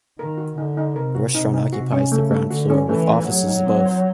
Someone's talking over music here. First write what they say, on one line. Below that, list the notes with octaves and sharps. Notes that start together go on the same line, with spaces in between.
A restaurant occupies the ground floor with offices above.
D#3 A#4
F#4
D3 D#4
D#4
C3 A#4
F#4
C3 D#4
D#4
C3 F#4
C#4
C#3 A3
A3
D3 F#4
C#4
E3 A3
A3
F#3 G4
D#4
C4
C5